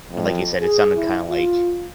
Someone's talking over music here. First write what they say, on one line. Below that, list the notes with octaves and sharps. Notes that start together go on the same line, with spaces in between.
and like you said, it sounded kinda like
F2
G#4
E4
F4